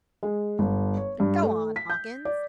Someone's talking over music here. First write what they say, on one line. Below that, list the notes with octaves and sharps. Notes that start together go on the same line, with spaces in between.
"But go on, Hawkins."
G#3
G1
C#5
G2
A3
B6
G6
D5